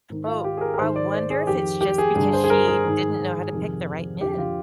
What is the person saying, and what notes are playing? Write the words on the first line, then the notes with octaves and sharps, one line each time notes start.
Well, I wonder if it's just because she didn't know how to pick the right men.
G#2 D#3
F4
G4
G#4
A#4
A#4
G#2 D#3 C5
D5
C5
G#4
F2 D#3 G4
G4
G#4
G2 D3 G#4
C5
G#4
A#4
G#4
G#2 D#3
F2 C3 D#3
F2 D3 G4
F4